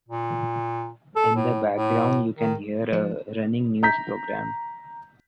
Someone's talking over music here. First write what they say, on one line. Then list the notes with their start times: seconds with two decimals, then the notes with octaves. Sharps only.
In the background you can hear a running news program.
0.08 A#2
1.16 A4
1.36 A2
1.72 A2
2.39 D#3
2.93 F3
3.83 A#5 G6 B6